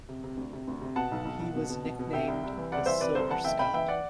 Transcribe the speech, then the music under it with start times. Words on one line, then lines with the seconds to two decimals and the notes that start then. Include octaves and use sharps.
He was nicknamed The Silver Scot.
0.09 C3
0.24 C3
0.37 D2
0.53 C3
0.68 D2
0.81 C3
0.96 B2 F#5 A5
1.11 B1
1.25 B1
1.40 B1
1.55 B2
1.70 B2
1.84 B2
1.99 B2
2.13 C3 E5 G5
2.28 C2
2.43 C2
2.58 E3
2.72 C2 D5 F#5
2.86 E3 C5 E5
3.01 C3 B4 D5
3.15 C2 A4 C5
3.30 E3 F#5 A5
3.44 F#1 E5 G5
3.59 F#1 G5 B5
3.74 E3 E5 G5
3.88 D5 F#5